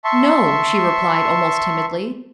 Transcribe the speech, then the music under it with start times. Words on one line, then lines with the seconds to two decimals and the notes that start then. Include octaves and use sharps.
"No," she replied, almost timidly.
0.04 E5 A5 C6 C#6